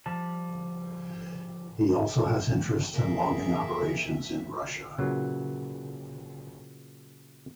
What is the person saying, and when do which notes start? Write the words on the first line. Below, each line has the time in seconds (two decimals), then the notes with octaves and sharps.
He also has interests in logging operations in Russia.
0.06 F3 G3 A5
2.94 A#3 G#4 E5
4.98 A#2 C#3 E3 F#3